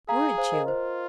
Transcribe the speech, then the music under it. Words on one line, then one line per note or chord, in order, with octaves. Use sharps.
Weren't you?
G#4 F5 A#5
C5 F5
A#4 D#5
F4 C5